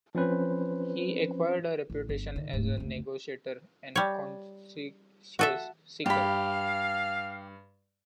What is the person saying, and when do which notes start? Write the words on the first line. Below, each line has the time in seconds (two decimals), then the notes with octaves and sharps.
He acquired a reputation as a negotiator and consensus seeker.
0.15 F3 C4 C#4 B4 C5
1.90 A1
2.09 G1
2.36 D3 D#3
2.53 D1 G#2
2.77 F#1 D2
3.96 G3 C#5
5.39 F#4 A4 E5
6.06 G2 G4 F5 B5